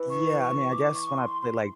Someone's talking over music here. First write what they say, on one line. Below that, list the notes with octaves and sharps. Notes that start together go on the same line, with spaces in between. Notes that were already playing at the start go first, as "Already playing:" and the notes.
Yeah, I mean, I guess when I play, like,
Already playing: E3
C#6
C#6
D6
C#6
C6
C6